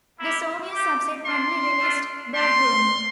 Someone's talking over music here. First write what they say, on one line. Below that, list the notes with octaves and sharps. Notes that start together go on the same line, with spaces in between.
The Soviets subsequently released Barghoorn.
A#3 E4 G4
C4 G4 D6
A#3 D4 F4 C6
A3 D4 F4
A3 D4 G4 C6